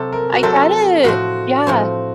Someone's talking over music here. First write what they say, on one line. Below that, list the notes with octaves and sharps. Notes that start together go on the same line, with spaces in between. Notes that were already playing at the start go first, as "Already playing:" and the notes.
I get it. Yeah.
Already playing: C3 F#3 C4 A4
A#4
F#4
C3 F#3 C4 A4
A2 F3 C4 F#4
A2 F3 C4